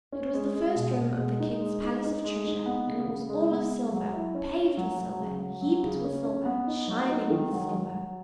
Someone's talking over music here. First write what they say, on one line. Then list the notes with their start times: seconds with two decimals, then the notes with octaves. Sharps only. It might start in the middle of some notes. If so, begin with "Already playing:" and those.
It was the first room of the King's palace of treasure; and it was all of silver, paved with silver, heaped with silver, shining with silver.
0.12 C#4
0.34 G#3
0.55 G#3
0.76 B2
0.96 B2
1.17 G#3
1.40 D#4
1.61 G#3
1.81 D#4
2.03 D#4
2.24 G#3
2.45 D#4
2.66 B3
2.87 C#3
3.08 C#3
3.29 G#3
3.51 B3
3.71 G#3
3.92 F#3
4.14 E4
4.35 C#4
4.56 C#4
4.77 F#3
4.98 F#3
5.19 C#3
5.40 F#3
5.61 F#3
5.83 C#3
6.04 C#4
6.25 C#4
6.45 B3
6.67 D#4
6.88 F#3
7.09 D#4
7.30 D#3
7.52 F#3
7.73 F#3
7.94 F#3